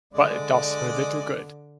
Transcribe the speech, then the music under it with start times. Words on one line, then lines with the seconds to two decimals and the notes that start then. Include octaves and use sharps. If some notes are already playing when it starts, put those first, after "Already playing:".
But it does her little good.
0.13 D3 G#3 D5